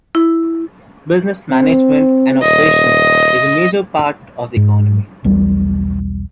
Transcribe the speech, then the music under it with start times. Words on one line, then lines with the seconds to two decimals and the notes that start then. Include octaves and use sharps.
Business management and operations is a major part of the economy.
0.15 E4
1.50 C4
2.42 D#1 D#5
4.57 G#2
5.24 B1 E2 G3